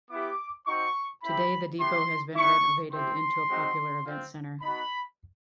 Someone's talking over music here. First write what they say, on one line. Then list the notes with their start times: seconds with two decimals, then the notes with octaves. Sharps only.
Today, the depot has been renovated into a popular events center.
0.10 B3 E4 G4 D6
0.66 C4 D#4 F#4 C#6
1.23 C4 E4 G4 B5
1.79 B3 E4 G4 C6
2.35 G3 B3 E4 C#6
2.92 C4 E4 G4 C6
3.49 G#3 C4 D#4 F#4
4.05 C4 F4
4.61 B3 D#4 F#4 B5